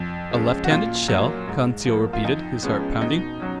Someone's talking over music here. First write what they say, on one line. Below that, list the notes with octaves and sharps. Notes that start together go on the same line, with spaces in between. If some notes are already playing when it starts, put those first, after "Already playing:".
"A left-handed shell!" Conseil repeated, his heart pounding.
Already playing: F2
F3 G#3 C#4
F#4
A#2 F4
F#3 A#3
G#2
F3 A#3
F4
F2 D#4
F3 G#3 B3 C#4
B2 D#4
F#3 C#4